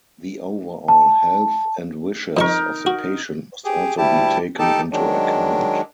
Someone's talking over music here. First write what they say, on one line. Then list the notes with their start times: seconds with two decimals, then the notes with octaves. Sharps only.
The overall health and wishes of the patient must also be taken into account.
0.88 A5
2.37 F2 D#4 A#4 A5 C#6
2.86 F#4
3.65 G4 G#4
3.98 D2 G3 E4 G4 A5
4.59 D#4 G4 A4 A5
4.92 D#3 F#3 G#3 D4